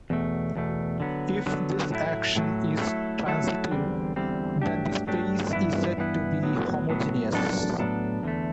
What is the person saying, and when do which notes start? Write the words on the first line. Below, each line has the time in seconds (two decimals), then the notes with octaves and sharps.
If this action is transitive, then the space is said to be homogeneous.
0.10 E2 B2 A3
0.56 E2 B2 A3
1.00 D3 F#3 B3
1.46 D3 F#3 B3
1.91 A2 F#3 A3 E4
2.35 A2 F#3 A3 E4
2.81 F#3 A3 E4 A4
3.26 F#3 A3 E4 A4
3.71 E2 D3 G3 C4
4.16 E2 D3 G3 C4
4.62 G2 F#3 A3 D4 G4
5.07 G2 F#3 A3 D4 G4
5.53 G2 E3 B3 E4
5.97 G2 E3 B3 E4
6.43 A2 F#3 B3
6.89 A2 F#3 B3
7.33 A2 F#3 B3 D4 A4
7.78 A2 F#3 B3 D4 A4
8.23 E2 D3 A3